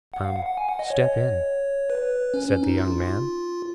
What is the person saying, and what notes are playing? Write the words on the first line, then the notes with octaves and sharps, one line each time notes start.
"Come, step in," said the young man.
F#5
F5
F#5
F#5
G#5
F#5
D#5
C#5
B4
C#4
C#4
D#4
F4